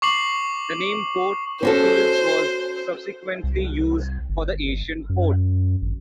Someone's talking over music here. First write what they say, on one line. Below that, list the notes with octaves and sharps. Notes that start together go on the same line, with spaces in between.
The name Port Hercules was subsequently used for the ancient port.
C#6 D6 C7 F#7
C#4 F#4 A4 C5
C2
G1
F#2
G#1